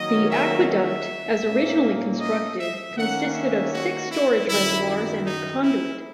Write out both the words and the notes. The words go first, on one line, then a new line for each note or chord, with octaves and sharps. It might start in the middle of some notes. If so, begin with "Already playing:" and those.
The aqueduct as originally constructed consisted of six storage reservoirs and of conduit.
Already playing: D#3 F#3 A#3 C#4 D#5
E5
E5
A#2 A#3 C#4
D#5
E5
D#3 A#3 C#4 F#5
E5
F#4
E4
F#2 D#3 F#3 E4
E4
D#4
E4